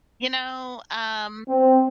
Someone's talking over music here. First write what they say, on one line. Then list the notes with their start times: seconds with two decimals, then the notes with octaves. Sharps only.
You know, um
1.48 C4